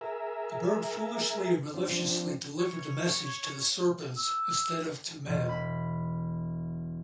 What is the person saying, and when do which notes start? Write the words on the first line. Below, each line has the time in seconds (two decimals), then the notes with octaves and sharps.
The bird foolishly or maliciously delivered the message to serpents instead of to men.
0.01 G#4 A#4 E5
1.74 F3 C4 D4
2.60 C#5
4.17 E6
5.26 E1
5.49 B5